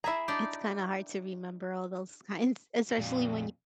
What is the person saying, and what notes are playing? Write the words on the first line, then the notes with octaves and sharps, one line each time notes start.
It's kinda hard to remember all those kinds, especially when you
E4 G#4 E5 A#5
D4 D#4 G4
F2 A#2